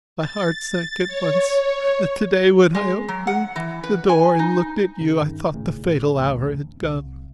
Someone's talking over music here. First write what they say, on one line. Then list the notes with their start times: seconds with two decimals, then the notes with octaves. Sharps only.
My heart sank at once, and to-day when I opened the door and looked at you, I thought the fatal hour had come.
0.19 A6
1.07 C#5
2.75 G#3
3.08 F#3
3.27 F#5
3.56 E3
3.84 B4
4.09 G#5
4.39 D#4
5.01 C#3
5.20 G2 D#3
5.54 G#1 A2 C#3
6.14 A1 D2
6.81 C2